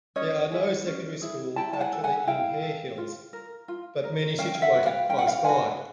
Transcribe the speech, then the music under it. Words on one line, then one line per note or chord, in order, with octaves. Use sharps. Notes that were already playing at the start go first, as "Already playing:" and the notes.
There are no secondary schools actually in Harehills but many situated close by.
C#4 C#5 D#5
E4 G#4
C#4
E4 G#4
E4 G5 A5
A5
F#5 G#5
A4
F#5 G#5
E4 F5 G5
A4
F4
A#4
F4
A#4
C#4 F5 G5
F5
E5 F#5
F#4 B4
F5 G5
C#4 G5
F#5
F5 G5
F#4 B4 F#5 G#5